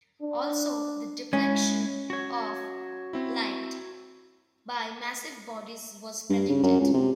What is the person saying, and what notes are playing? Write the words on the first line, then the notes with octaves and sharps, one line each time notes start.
Also the deflection of light by massive bodies was predicted.
D4
G#3 C#4 E4
F#4 C#5
C4 E4
G2
C#3
F#2
C#2
C3